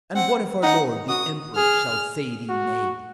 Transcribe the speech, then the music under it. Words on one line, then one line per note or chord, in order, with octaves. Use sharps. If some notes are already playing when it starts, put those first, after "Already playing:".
"And what if our lord the emperor shall say thee nay?"
C4 F#5
D#4 F#5
F#4 D#6
G#4 F6
F#4